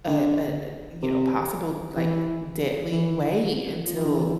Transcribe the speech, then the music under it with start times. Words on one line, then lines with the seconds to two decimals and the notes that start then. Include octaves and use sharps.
a a a, you know, possible, like, deadly way until,
0.08 D3
1.02 C3
1.97 E3
2.92 E3
3.87 F3
3.96 E3
4.05 D3
4.13 E3